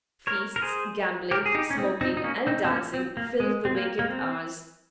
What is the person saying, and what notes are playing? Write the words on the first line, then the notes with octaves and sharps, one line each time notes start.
Feasts, gambling, smoking, and dancing filled the vacant hours.
A#4 C#5
A#4
G#4 C5
G4 A#4
G#4
D#4 G4
C#4
C4 D#4
C4 D#4
D#4
A#3 C#4
C4 D#4
C4
A#3 C#4
C4
A#3
G#3
C4
A#3
A#3
C4